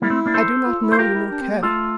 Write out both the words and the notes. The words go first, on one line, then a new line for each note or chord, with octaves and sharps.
I do not know, nor care.
G3 A#3 E4
A3 C4
A#3 D4
A4 C5
F4
E4
C5
F4 G4 A#4
E4
D4
C4
A#3
A3 F4 A4